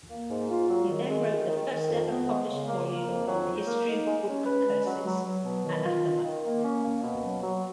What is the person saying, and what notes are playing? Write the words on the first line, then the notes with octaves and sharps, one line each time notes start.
He then wrote the first-ever published volume on the history of book curses, Anathema!
A#3
G#2
F4
F#3
D#3
G#3
D#3
D#3
D#3
F2
B3
G#3
C#3
A#3
A#3
F2
F#3
D#4
A#3
D#4
G#3
C#4
B4
G#3
F#3
F#3
F#3
B2
D#3
F4
D#3
D#3
A#3
C#4
A#3
B2
F#3
F#3